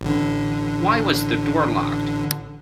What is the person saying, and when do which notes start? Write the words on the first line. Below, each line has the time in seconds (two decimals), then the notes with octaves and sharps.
Why was the door locked?
0.01 A1 D3